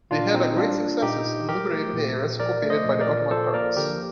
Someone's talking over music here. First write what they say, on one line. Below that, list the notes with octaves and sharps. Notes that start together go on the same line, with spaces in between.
They had a great successes in liberating the areas occupied by the Ottoman Turks.
A#2 D4 F4
A#2 C4 D#4
G3 D4 F4
A#3
A#2 D#4 G4
A#2
F3 G4 A#4
A3
A#2
A#2
F3 A#4 D5
A3
C5 D#5
A#2
A#4 D5
A#2
F3 A4 C5
A#3 A#4 D5
D3 G4 A#4